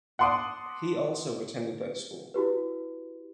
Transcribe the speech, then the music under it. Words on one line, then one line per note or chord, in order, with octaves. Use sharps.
He also attended that school.
F#5 A5 C6 D6 D#6
E4 F#4 G4 B4